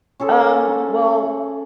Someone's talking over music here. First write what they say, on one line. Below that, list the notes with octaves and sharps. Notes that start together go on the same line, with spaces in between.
Um, well,
C#4 G#4 A4 C5